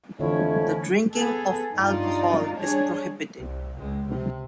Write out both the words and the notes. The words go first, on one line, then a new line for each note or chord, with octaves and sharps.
The drinking of alcohol is prohibited.
F2 D3 E3 F3 A3 C#4 E4 C#5
B3 G#4 A4
G2 D#4 F4 D5
G3 D4 G#4 C#5
C2
C#2 G#3
C3